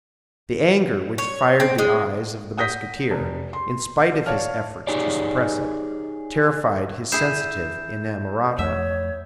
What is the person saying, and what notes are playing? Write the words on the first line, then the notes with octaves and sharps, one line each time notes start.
The anger which fired the eyes of the Musketeer, in spite of his efforts to suppress it, terrified his sensitive inamorata.
C#5
C4
G#3
F#5 D#6 G6 A#6 B6
F1
C6
C#5 D5 F5 A5 F6
D#4 G4 G#4 C#5 D5
E4 G#4 G6 C7 E7
F2 A3 C#5 E5